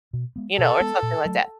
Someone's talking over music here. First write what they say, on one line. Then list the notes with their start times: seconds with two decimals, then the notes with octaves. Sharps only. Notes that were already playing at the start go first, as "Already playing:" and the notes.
you know, or something like that.
0.13 B2
0.36 G#3 B3
0.58 B2 A4
0.80 G#3 B3
1.03 A#2
1.25 F#3 A3